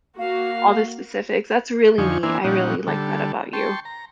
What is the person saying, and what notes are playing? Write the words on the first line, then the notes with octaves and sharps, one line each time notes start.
all the specifics. That's really neat. I really like that about you.
A#3 F#4 F5
F2 D3 F3 D#4 G#5 C#6
E3 A#3 D4 E4 C5 G#5
A#2 F3 G3 C#4 D#4 F#5
D3 G3 A4
G5 A5 C6 C#6
A#5